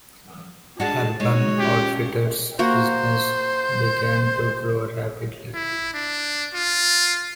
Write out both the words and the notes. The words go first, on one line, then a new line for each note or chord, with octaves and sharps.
Urban Outfitters' business began to grow rapidly.
G#3 D4 F#4 A5
G#3 D#4 F#4 C#5
C#4 F4 G4 C#6
A#3 F#4 A#4 C5
E4
D4
F4